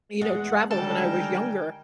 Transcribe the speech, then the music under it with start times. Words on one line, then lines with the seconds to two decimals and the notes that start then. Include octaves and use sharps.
you know travel when I was younger
0.21 E2 G#3 F#5
0.71 D3 D#3 G3 A4 A#4 G5 G#5